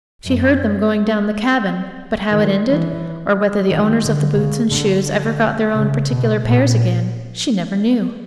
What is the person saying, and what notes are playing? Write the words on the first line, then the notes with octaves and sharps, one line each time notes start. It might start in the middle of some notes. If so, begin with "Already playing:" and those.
She heard them going down the cabin; but how it ended, or whether the owners of the boots and shoes ever got their own particular pairs again, she never knew.
F#2
D#3
E3
D#3
D3
C#3
D3
D3
C#3
B2
A#2